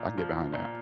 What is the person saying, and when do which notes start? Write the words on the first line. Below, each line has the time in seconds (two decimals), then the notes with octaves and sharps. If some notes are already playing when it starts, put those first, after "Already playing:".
I can get behind that."
Already playing: A#2
0.17 F3
0.53 A#2